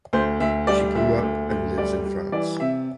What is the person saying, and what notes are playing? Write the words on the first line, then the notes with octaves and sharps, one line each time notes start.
She grew up and lives in France.
D2 C5
D2 E5
G3 D5
D2 E5
D2
D2
G3 D5
G3
E3 D5
C3 E5